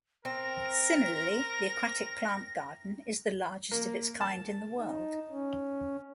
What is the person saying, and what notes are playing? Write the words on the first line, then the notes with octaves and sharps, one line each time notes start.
Similarly, the Aquatic Plant Garden is the largest of its kind in the world.
C4 A#4 A#6
A#3
A5
D#4
C#4